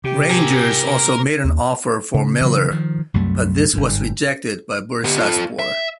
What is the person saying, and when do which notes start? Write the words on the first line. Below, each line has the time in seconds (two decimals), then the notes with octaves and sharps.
Rangers also made an offer for Miller, but this was rejected by Bursaspor.
0.04 C3 G4
0.29 A#4 G#5
1.45 D#2
2.14 C#3
2.41 C#3 E3 F#3
2.71 D#3 F3
3.14 C2 F#2 F#3 A3
3.73 G1 G#2
5.04 B3 G4
5.19 F4 A4
5.59 E5